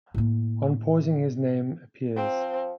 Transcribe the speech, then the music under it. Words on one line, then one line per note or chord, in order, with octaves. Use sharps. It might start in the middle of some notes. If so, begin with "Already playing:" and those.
On pausing his name appears.
A2 A#3
F3 C4